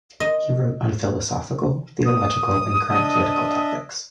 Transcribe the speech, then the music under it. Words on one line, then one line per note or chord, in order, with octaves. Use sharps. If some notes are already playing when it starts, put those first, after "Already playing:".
He wrote on philosophical, theological and current political topics.
D#5
D#6
D4 D#5 E5